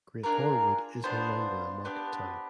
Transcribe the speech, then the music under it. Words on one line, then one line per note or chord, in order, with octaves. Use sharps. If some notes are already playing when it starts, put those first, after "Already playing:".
Great Horwood is no longer a market town.
D4 F4 G#4 A#4
B3 D4 F4 C5
B3 D4 G4